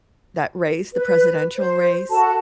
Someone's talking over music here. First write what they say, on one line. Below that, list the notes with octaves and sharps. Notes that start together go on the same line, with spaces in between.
that race the presidential race
B4
C5
F#4 A4 A5